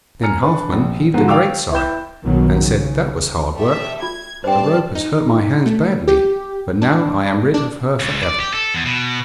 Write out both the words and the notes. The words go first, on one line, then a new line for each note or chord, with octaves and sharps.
Then Halfman heaved a great sigh and said, 'That was hard work; the rope has hurt my hands badly, but now I am rid of her for ever.'
G#5 A#5 F6 C#7
D4 B4
A#1
G#2 D3 F3 F#4
D5 F5 G5 C#6 D6 E6
E4 B4 G5 G6 E7
B1 G2 B2 D#3 F#3
C#3
A3 G4 E5
F4 G#6
G2 C4 C5 D5 G5 A5
D#4
A3
G4
D4
D4
C#2
D5
G4
A4
E2
B2